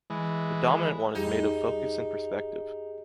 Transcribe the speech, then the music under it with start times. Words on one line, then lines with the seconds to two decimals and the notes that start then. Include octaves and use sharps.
The dominant one is made of focus and perspective.
0.10 E3 G#3
1.15 F2 G3 D#4 G4 G#4